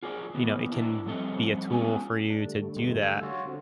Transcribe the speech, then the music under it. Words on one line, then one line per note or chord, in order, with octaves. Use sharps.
you know, it can be a tool for you to do that.
F4 G#4 A#4 D5
D#3 A#3 B3
D4 E4 A#4
F3 G3 A3 C4 A4 D#5
G#3 B3 C#4 F4 B4 G#5
D4
D3 G3 A3
E2 G2 G#3
G#5 E6 G#6
F4 F#4 C#5
D3 C4 F#4